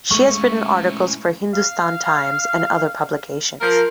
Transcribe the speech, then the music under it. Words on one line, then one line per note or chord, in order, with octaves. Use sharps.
She has written articles for "Hindustan Times" and other publications.
G#3 A3 C#4 E4 C#6
F5
F3 F4 A#4